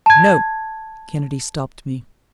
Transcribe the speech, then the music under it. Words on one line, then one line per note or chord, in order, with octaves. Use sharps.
"No!" Kennedy stopped me.
A5 G#6